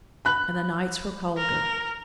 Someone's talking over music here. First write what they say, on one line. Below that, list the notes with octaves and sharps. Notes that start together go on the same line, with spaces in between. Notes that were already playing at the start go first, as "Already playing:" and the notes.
And the nights were colder.
B5 F#6 F#7
A#4